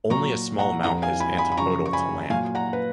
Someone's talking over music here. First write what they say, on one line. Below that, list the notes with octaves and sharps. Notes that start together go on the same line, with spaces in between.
Only a small amount is antipodal to land.
A#2 F#3 A#5 C#6
F#5 A#5
F2 F3 F#5 A#5
F5 G#5
G#5 B5
G#5 B5
B5
F#2 C#3 F3 A#5 C#6
C#6
G#5 B5
A#2 F#3 F5 G#5
F#5 A#5
B4